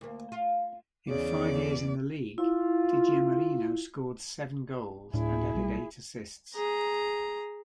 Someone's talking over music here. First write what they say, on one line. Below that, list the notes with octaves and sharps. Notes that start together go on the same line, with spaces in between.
In five years in the league, DiGiamarino scored seven goals and added eight assists.
D2 A#3
F4
E2 C#3 D5
E4 F4
D1 A2 D4 E4 G#4
B1 G3
G#4 A#5